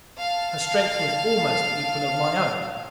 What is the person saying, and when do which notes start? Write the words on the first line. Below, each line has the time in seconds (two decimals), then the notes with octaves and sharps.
Her strength was almost the equal of my own.
0.19 F5 A5